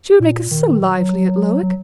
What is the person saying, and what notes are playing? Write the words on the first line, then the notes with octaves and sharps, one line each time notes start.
"She would make us so lively at Lowick."
A#2
D#3
F#3
F#3